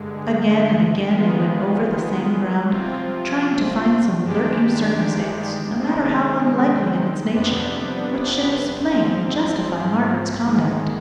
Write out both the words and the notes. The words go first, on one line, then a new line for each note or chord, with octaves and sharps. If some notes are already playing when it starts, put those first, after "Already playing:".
Again and again he went over the same ground, trying to find some lurking circumstance, no matter how unlikely in its nature, which should explain and justify Margaret's conduct.
Already playing: G2 D3 G#3
D#3 G#3 B3 F4
C3 F3 C4 F4
G2 D#3 G#3 D4 G4
C3 D#3 G#3 C4
F2 C3 G3 B3 D4
G#2 F3 C4
G#2 D#3 G#3